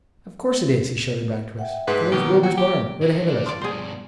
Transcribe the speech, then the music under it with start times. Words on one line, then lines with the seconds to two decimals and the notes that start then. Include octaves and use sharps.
"Of course it is!" he shouted back to us, "for there's Wilbur's barn--right ahead of us!"
1.57 E5 F#5 G5
1.87 G#2 G#3 A3 B4
2.12 B2 D#3 A#3 G4
2.43 F#4 G5
2.57 G4
3.01 D3 D#5
3.26 G3 D4
3.46 F3 D5
3.61 G2 B2 G#4 C5